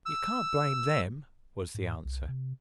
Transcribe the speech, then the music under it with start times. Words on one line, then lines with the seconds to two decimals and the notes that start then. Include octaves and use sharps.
"You can't blame them," was the answer.
0.06 E6
1.75 G#2
2.05 C2
2.29 C3